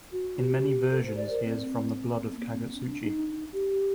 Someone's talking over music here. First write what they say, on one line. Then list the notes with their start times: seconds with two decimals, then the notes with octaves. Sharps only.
In many versions he is from the blood of Kagutsuchi.
0.12 F#4
0.38 G4
0.91 A4
1.03 C5
1.16 D5
1.30 A#4
1.44 C4
1.96 C4
2.21 A#3
2.29 C4
2.37 A#3
2.49 C4
2.74 D4
3.01 D#4
3.53 G4